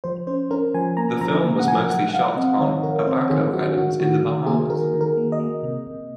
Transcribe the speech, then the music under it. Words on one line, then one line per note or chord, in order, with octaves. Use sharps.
The film was mostly shot on Abaco Island in The Bahamas.
F3 C5
C#4 C5
C#4 A#4
F3 G#5
A#3 A#5
F3 A#5
A#3 A#5
F#5
F3 G#5
F#3 F#5
F#5
F#3 F5
C4 D#5
D#3 C#5
D#3 A#4
C#5
C4 C5
D#3 G#4
F#3 F#4
D#3 F#4
D#3 F#4
D#3
A#3 G#4
D#3 A#4
D#3
A#4
A#3
D#5
A#3
C3
C3